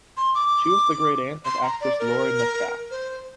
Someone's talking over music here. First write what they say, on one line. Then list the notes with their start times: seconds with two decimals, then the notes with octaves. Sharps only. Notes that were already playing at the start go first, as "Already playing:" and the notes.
She was the great-aunt of actress Laurie Metcalf.
0.17 C6
0.35 D6
1.45 C6
1.63 A#5
1.81 D5
2.00 A#4
2.91 C5